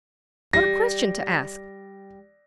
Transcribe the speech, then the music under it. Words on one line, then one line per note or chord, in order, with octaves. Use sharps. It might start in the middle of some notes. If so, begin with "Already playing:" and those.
What a question to ask!
G3 A#6